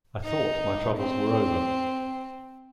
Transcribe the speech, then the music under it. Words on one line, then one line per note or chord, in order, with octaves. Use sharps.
I thought my troubles were over.
D#4
C4